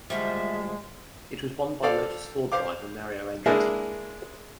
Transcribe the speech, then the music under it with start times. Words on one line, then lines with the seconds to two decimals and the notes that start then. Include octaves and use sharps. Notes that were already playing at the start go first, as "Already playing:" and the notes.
It was won by Lotus-Ford driver Mario Andretti.
0.10 D2 F3 G3 G#3 E5
1.83 A4 C5 D5 F5
2.52 C5 F5 D6
3.46 G#3 A#3 D4 E4 G#4 A#4